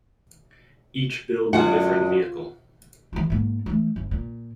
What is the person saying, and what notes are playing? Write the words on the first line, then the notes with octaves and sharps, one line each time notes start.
Each builds a different vehicle.
F#2 D3 G#3 F4 F#4 F#5
E3 F4
G#2 A#3
E3 A3
G1
A#2